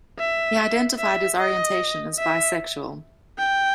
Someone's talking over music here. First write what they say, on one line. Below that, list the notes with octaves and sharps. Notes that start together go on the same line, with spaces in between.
He identified his orientation as bisexual.
E5
E5
D#5
E5
G5